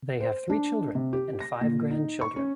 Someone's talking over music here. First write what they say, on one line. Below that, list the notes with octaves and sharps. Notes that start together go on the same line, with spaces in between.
They have three children and five grandchildren.
C5
D4
C3
G4
A#6
A#2
D#4
C#6
C#4